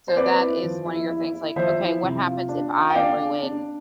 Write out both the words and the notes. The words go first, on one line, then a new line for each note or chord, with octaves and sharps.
So that is one of your things, like, "Okay, what happens if I ruin"
C5
C4 B4 D5
E4
F3
E4
E4
E4
F3 C5 E5
E4
C3
F4
D4
F4
G5
D4 D5 F5
D4
D4